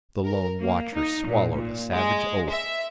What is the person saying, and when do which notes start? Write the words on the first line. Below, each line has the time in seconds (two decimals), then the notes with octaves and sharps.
The lone watcher swallowed a savage oath.
0.25 A#4
0.59 A#3
0.95 D#4
1.26 A#2
1.56 A#2
1.92 G#3
2.48 E5